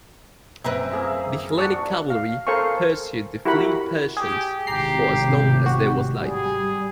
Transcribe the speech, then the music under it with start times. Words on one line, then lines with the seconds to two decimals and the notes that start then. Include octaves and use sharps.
The Hellenic cavalry pursued the fleeing Persians for as long as there was light.
0.64 F#2 C4 B4 E5 A#5
0.91 A#3 G#4 E5
1.58 D4 F#4 C#6
2.10 F5
2.47 A4 A#4 C5 F5 G#5 C#6
3.45 E4 F#4 G4 A#4 F#5 B5
4.17 G4 G#4
4.67 G#1 A2 C3 G4 A#5 C7
5.66 F#4
6.23 G3 G#4